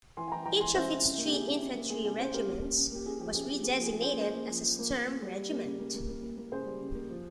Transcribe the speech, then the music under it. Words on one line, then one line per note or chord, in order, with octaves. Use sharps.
Each of its three infantry regiments was redesignated as a "Sturm-Regiment".
E3 G#5 C6
G#5
E3 G5 A#5
E3 G5 A#5
E3 G#5 C6
C#4 C5 E5
C3
C#4
A#3
G4
C3 G#4
C#4
C#4
A#3
A#3 G#4
C3 G#4
C#4 G#4 C5
C3 G4 A#4
A#3
C#4
C#4
A#3 G4
C#4 G#4
F3 G4
C#4 G#4
F3 G4
A#3 G#4
F3 G#4
F3
C#4 G#4 C5
A#3 G#4 C5
A#3
F3
F3
A#3
A#3
A#3
G3
G3
A#3
C#3
A#3
A#3
A#3
A#3
A#3
C#3 G#4 C5
G3
C#3
A#3
F3